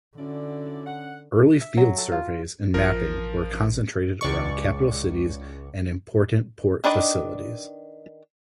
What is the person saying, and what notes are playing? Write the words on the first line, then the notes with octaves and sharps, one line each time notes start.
Early field surveys and mapping were concentrated around capital cities and important port facilities.
D3 C#4 E4 F#4 D5
F#5
E5
F#3
A4
F4
A1 F3 A#4
C#2 D5 C#6
D#3 D4 B4 D5 D#5